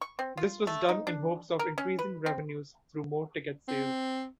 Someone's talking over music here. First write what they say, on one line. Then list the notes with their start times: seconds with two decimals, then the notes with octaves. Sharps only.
This was done in hopes of increasing revenues through more ticket sales.
0.01 C#6
0.19 C4
0.37 F4
0.67 A3
0.89 D#4
1.07 D4
1.59 A#4
1.78 C#4
1.99 B4
2.26 C4
3.68 C4